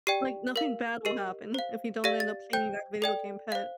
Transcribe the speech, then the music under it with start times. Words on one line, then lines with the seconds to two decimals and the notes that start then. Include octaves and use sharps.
Like, nothing bad will happen if you don't end up cleaning that video game pet.
0.07 G4 D5 G5 C7
0.56 A#4 F5
1.05 G4 A#4 D#5 C7
1.54 C5 F5
2.04 G4 D5 F5 A#6
2.20 A6
2.53 C5 G5 G6
3.02 A4 D5 G5
3.52 C5 F5